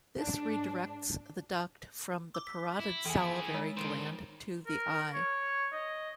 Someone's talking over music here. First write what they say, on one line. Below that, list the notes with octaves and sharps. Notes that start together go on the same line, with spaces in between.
This redirects the duct from the parotid salivary gland to the eye.
G#2 D4
D6 E6
B6
E4
E3 E4 G#4 G#5
G#3
D#3 C5
A#4
C#5
D#5